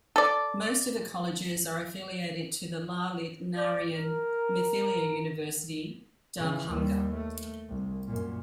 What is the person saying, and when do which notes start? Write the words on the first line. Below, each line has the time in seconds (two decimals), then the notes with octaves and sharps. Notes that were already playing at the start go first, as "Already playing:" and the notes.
Most of the colleges are affiliated to the Lalit Narayan Mithila University, Darbhanga.
0.16 A4 D5
3.57 D5
3.94 A#4
6.38 C#3 E3
6.70 D#2 G3
7.13 A3
7.69 C2
8.07 F#2 A#2